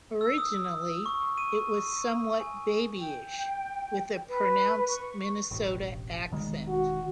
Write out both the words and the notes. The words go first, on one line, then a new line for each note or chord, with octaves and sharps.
Originally, it was somewhat babyish, with a pronounced Minnesota accent.
E6
D#6
C#6
D#7
G#5
G5
B4
C#6
E1 A1
E1 D#3 G#3
F#4